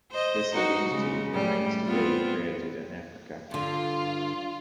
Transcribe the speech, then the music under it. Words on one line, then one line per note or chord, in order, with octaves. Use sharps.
This identity remains to be created in Africa.
C5 D#5
D#4 F#4
C#3 G#3
A2 G3
B3 C4 F4
G2 D3 F4